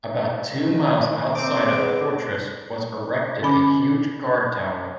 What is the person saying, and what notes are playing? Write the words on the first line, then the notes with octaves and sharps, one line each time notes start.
About two miles outside of the fortress was erected a huge guard tower.
D#3
C4 D6
G#3 B3
D3 C#4 B5 D6